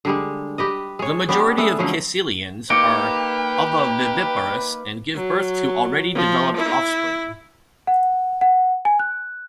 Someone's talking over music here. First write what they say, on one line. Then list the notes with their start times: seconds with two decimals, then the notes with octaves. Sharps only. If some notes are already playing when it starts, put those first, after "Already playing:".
The majority of caecilians are ovoviviparous and give birth to already developed offspring.
0.05 D3 G3 G#3
0.58 G4 B4 D#5
0.99 G#3 C#5
1.29 B3 C#4 D4 G4
1.57 G#3 A3 B3
1.79 D3 F3 F#3 C#4
2.70 A#3 D#4 G4 B4 D6 C#7 D7
5.15 F#3
6.15 F3
6.56 E4
7.87 F#5
8.41 F#5
8.85 G#5
8.99 F#6